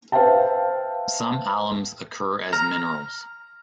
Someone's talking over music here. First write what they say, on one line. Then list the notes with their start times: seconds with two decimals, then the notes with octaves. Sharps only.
Some alums occur as minerals.
0.12 B4 C5 E5 F5 G5 A5
2.53 A#5 F6